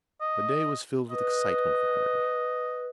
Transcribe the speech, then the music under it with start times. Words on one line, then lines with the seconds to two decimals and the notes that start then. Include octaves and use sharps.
The day was filled with excitement for Harry.
0.21 D#5
1.11 B4 D#5